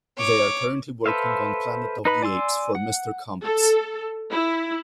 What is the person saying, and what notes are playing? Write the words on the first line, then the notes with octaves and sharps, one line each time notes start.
They are currently working on "Planet of the Apes" for Mr.Comics.
C#5 D6
A4 B4 C5 E5 F5
D#4 B4 B5
D5 G#5 C6 E6
F#5
A4
E4